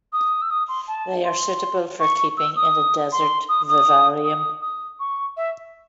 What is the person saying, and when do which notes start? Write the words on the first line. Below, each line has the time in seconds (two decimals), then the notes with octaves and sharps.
They are suitable for keeping in a desert vivarium.
0.13 D#6
0.42 E6
0.50 D#6
0.69 C6
0.88 A5
1.25 C6
2.00 C#6
2.37 E6
2.56 D#6
3.12 C6
3.49 D#6
3.68 D#6
4.24 D#6
4.61 D#6
5.00 C#6
5.37 E5